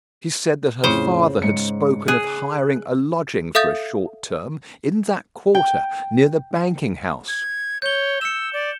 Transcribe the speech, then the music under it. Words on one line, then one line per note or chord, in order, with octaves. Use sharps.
She said that her father had spoken of hiring a lodging for a short term, in that Quarter, near the Banking-house.
F2 A2 C#3 C5
G#2 C#7
G#4 F#6
A4 E5 F5 D#6 G6 A6
G5
G#6
C#5 G6 G7
E6 C#7 E7
D5